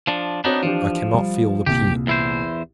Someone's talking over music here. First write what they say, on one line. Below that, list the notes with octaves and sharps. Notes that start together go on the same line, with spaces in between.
I cannot feel the pen.
F3 D4
B3 C4 D4 D#4 F#4 C#5
E3 F3 D4 G4
G3
C2 A#2 G4
E2 E4 C5